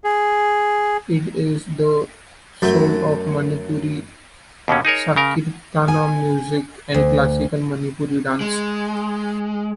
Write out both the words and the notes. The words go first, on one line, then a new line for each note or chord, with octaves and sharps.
It is the soul of Manipuri Sankirtana music and Classical Manipuri dance.
G#4
F#2 A3
D#2 B2 D3 C#4
D#4 G#4 A#4 C#5
C#3 A#4
G#5
D2
G#3